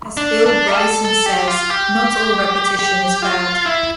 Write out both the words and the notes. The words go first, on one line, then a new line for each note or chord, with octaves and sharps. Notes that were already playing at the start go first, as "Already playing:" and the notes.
As Bill Bryson says, Not all repetition is bad.
D4
D4
A4
A4
G4
F4
G4
G4
F4
E4